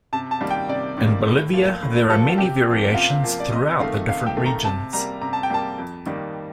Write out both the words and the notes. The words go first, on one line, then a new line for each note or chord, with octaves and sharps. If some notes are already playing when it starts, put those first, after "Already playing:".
In Bolivia, there are many variations throughout the different regions.
C3 A5
A5
D#3 G3 A#3
G5
C3 D5
D#3 G3 A#3
A2
F3 A#3
A2
F3 A#3 A4
F4
C3 G4
F3 A#3
C3 F4
F3 A#3
D5
C3 D#5
D#3 A3 F5
C3 F5
G5
D#3 A3
A#5
C3 A5
G3 A#3 A#5
C3 A#5
A5
G5
G3 A#3 A5
F2
D#3 G3 A#3